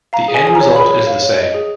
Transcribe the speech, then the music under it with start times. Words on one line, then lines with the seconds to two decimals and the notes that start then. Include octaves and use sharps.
The end result is the same.
0.13 F5 A#5
0.28 G#4
0.34 G#5
0.45 G#4 G#5
0.55 A#5
0.60 C#5
0.76 G#4 B5
0.91 C#5
1.07 F5
1.22 C#5
1.38 D#5
1.54 G#4